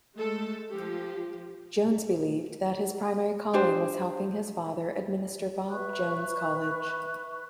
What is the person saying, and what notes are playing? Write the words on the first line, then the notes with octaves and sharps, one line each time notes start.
Jones believed that his primary calling was helping his father administer Bob Jones College.
G#3 A3 A4
F3 G4
D4 G4 C5
B4 E5 C#6 F#6